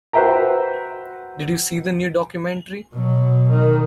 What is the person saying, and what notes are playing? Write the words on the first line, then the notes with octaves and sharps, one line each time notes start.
Did you see the new documentary?
F#4 B4 C5 E5 G5 A#5
B2 F#3
D#3